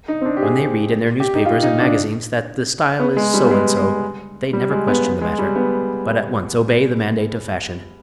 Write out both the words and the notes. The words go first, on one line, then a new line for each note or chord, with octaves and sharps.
When they read in their newspapers and magazines that the style is so-and-so, they never question the matter, but at once obey the mandate of fashion.
D#4
C4
D4
G4
G#4
G4
D#4
F4
D#4
D4
B3
G#3
G3
B3
G#3
G#3
G3
G#3
B3
B3
G#3
G3
B3